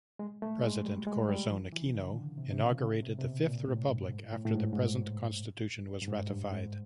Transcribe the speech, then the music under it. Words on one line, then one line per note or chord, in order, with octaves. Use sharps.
President Corazon Aquino inaugurated the Fifth Republic after the present constitution was ratified.
G#3
A3
G#3
G3
G#3
G3
F3
E3
C#3
D#3
D3
C3
C3
C#3
C#3
C3
C3
B2
A#2
A2
G2
G#2
A2
A2
G#2
G#2
G2
G2
G#2
G2
G#2